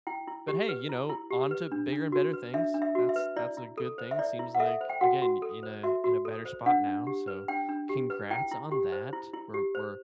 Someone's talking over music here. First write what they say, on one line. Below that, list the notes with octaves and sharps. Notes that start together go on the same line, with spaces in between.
But, hey, you know, on to bigger and better things. That's that's a good thing, seems like, again, in a in a better spot now, so congrats on that. We're we're
E4 G5
E4
G4
B4
E4
E4
G4
B4
D4
D4
F#4
B4
D4 E5
D4
E5
F#4
E5
B4
E4 D5
E4
A4
C5
E5
E4 D5
E4
F#5
A4 E5
C5
G5
F#4 F#5
F#4
A4
C5
F#4 E5
F#4
A4
C5
D4 F#5
D4
G4
B4
D4 G5
D4
G4
B4
E4 G5
E4
G4
C5
E4
E4
G4
C5